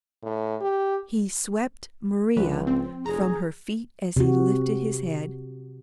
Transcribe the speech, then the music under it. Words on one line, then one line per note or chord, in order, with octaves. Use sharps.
He swept Maria from her feet as he lifted his head.
A2
G4
C#2 F3 B4
C4
F1 G#4 A#5
C3 F#4